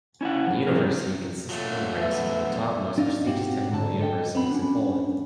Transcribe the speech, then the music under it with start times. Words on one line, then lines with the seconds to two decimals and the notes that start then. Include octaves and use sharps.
The University consistently ranks among the top most prestigious technical universities in Poland.
0.21 C#4 E4 C#5 F#5
0.47 F3
0.67 C4 E4 A#4
1.50 F#3 A3 F4
1.98 B3 E5
2.98 D4 D#4 F5
3.26 G#2 C4 F#4 G4
3.72 G#2 D3 A5
4.01 A4 D#5 G5
4.35 B3 C4 B5
4.51 C#4 D4